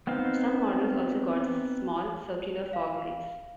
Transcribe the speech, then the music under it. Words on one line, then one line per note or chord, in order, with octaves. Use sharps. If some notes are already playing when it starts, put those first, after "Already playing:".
Some models also got small circular fog lights.
B3 C4 D#4 F5
F5